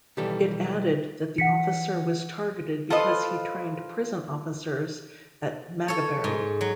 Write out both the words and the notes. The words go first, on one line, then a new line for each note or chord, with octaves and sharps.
It added that the officer was targeted because he trained prison officers at Maghaberry.
B1 D#3 E3 G3 G4 A4
E3 F#5 B6 C#7
F4 A4 B4 C5 D#5
A4 C#5
G#2
F#3